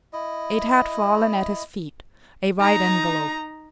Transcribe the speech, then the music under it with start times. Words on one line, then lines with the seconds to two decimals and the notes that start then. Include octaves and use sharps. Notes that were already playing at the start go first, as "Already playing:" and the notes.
It had fallen at his feet--a white envelope.
0.13 E4 D#5
2.60 D#4 A#5